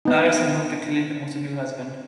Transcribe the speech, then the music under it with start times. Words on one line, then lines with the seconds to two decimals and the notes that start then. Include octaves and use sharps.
Alice had moved to Cleveland with her new husband.
0.05 B3 D#4